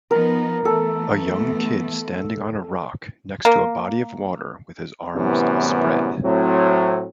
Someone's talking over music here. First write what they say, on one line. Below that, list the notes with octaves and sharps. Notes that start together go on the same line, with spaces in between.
A young kid standing on a rock next to a body of water with his arms spread.
F3 B3 D#4 A#4
E3 A3 B3 A4
A#3
F#2 A2 C3 E3 G3 B3
A2 F#3 C4